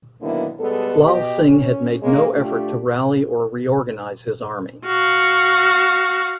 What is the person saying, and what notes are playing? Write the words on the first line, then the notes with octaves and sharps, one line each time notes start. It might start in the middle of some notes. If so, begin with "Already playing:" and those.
Lal Singh had made no effort to rally or reorganise his army.
D3 D#3 F#3 A#3 B3 E4
G3 G#3 B3 A4
B2 G4 D#5
C#4
C#3 G#3 A#3
A3 D4 F4 G4
F#4 F5